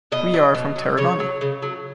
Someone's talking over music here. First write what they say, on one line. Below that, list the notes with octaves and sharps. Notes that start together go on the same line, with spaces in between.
We are from Tarragona.
B2 D#5
F#3
B2
F#3
C#3 C#5
F#3
C#3
F#3